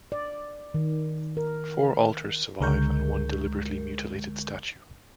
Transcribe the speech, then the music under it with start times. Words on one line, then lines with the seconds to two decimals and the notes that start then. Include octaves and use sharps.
Four altars survive, and one deliberately mutilated statue.
0.12 D5
0.74 D#3
1.37 A#4
2.60 C#2 D3 G#3 A#4 C#6 G6